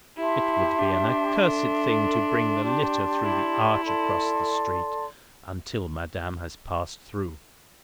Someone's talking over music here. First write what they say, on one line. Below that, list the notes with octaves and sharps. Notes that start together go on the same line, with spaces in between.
It would be an accursed thing to bring the litter through the arch across the street, until Madame has passed through.
E4 G4 E5 A5 C6
D4
A4 E5 C6
G4 D5 A5 C6
E4
A4 D5 A5 C6